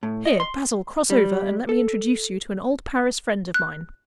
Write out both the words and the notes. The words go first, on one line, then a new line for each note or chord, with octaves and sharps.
Here, Basil, cross over, and let me introduce you to an old Paris friend of mine.
A2
D#5
C6
G3
A4
F#6